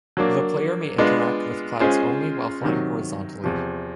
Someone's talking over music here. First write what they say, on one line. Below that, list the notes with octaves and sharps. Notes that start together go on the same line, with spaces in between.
The player may interact with clouds only while flying horizontally.
F#3 A#3 D4
G#3 B3 D4 F4
G#3 C#4 F4 G#4 C5
C3 D#3 F#3
E2 C3 F3